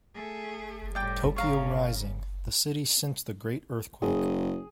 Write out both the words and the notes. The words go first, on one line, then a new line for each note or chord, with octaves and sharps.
Tokyo Rising: The City Since the Great Earthquake.
A3 G#4
A2 G3 D5 G5 D6
A2 C#3 C#5 F5 A#5
F#1 G#4